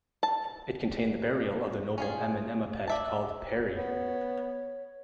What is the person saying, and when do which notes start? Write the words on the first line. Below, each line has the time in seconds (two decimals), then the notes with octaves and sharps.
It contained the burial of the noble Amenemopet called Pairy.
0.23 A5
1.98 C#4 F4 G#4
2.88 D5 E5 A5
3.73 B3 C#5